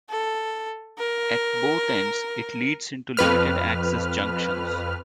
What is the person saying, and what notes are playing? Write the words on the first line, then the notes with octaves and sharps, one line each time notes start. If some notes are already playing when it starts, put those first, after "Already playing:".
At both ends it leads into limited-access junctions.
A4
A#4
F2 B4 F6